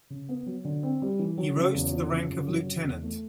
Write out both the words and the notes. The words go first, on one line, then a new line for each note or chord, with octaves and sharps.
He rose to the rank of lieutenant.
C#3
B3
F#3
D3
C4
G3
E3
F#3
C#3
E2
F3
C#3
F#2
F#3
C#3
E2
A3